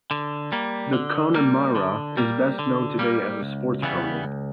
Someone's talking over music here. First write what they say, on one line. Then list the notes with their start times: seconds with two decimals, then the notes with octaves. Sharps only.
The Connemara is best known today as a sports pony.
0.11 D3
0.52 G3 A#3
0.93 D3
1.35 G3 A#3
1.75 D3
2.17 G3 A#3
2.59 D3
2.99 G3 A#3
3.41 C#2
3.82 C#3 E3 G3 B3
4.24 C#2